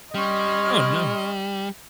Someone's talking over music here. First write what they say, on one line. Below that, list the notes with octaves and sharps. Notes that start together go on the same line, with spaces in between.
Oh, nice.
G3 C#4 D#5 C6 F6